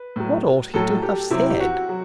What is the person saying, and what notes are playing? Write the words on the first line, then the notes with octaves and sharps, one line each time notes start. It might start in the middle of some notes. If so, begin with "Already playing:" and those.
What ought he to have SAID?
Already playing: B4
A2 F#3
A2 F#3 A4
G4
C3 F#3 E4
G4
F#4
F#3